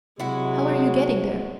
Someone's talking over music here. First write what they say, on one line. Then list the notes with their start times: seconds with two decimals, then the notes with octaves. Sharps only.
"How are you getting there?"
0.20 C3 F#3 G#3 E4 F#4